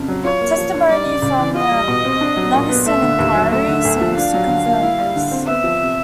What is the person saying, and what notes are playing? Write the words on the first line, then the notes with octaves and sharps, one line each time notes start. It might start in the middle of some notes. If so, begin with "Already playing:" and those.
Testimony from the Leveson Inquiry seems to confirm this.
Already playing: F2 C#3
F#3
F4 C#5
A#3
F3
D4
G3 D5
C#3
C#2
E3
F4 D#5
G3
B2
C4
D4
F#3
A#2
B3
A3 E5
D3
D#2
F#3
A3 E5
D3
D2
F3
D4 F5
F#3
D3
A#3
E4
G3
D3
C4
B3 E5
F3
C3